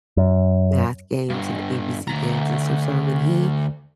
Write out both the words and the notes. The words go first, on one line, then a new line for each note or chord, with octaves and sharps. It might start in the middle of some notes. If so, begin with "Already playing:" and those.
math games and ABC games and stuff. So I mean, he
F#2
G2 D3
D2 A#5